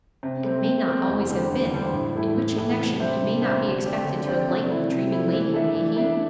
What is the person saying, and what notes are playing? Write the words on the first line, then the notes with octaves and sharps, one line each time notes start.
'And may not always have been; in which connection he may not be expected to enlighten the dreaming lady, may he?'
C3
A3 C4
C3
A3 C4
E2
D3 G3 D4 C5
E2
D3 G3 D4 C5
A2
E3 A3 E4 A4
A2
E3 A3 E4 A4
C3
G3 D4 C5 E5
C3
G3 D4 C5 E5
D3
C4 G4 D5
D3
C4 G4 D5
C3
A3 E4
C3
A3 E4
E3
A3 D4 A4 E5
E3
A3 D4 A4 E5